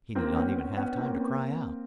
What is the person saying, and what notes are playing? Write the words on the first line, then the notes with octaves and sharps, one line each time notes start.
He did not even have time to cry out.
A#3 C4
B3 C#4
B3 C#4
A#3 C4